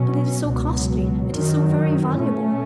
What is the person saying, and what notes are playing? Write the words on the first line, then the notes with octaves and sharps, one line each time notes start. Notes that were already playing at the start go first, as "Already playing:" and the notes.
"But it is so costly--it is so very valuable."
Already playing: B2 F#3 C#4
C#2 B2 F#3
F#2 D#3 F#3
B2 A3 C#4